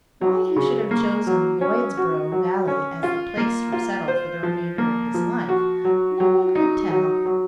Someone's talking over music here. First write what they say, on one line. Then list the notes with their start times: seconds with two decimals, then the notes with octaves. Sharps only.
Why he should have chosen Lloydsborough Valley as the place to settle for the remainder of his life, no one could tell.
0.21 F#3
0.56 C#3
0.91 A#3
1.27 F#3
1.61 C#4
1.97 F#4
2.32 F#3
2.67 C#4
3.03 F4
3.37 A#3
3.72 F4
4.08 C5
4.43 F3
4.78 A#3
5.14 F3
5.49 F#4
5.85 F#3
6.20 F#3
6.55 D#4
6.90 F#3
7.26 F#3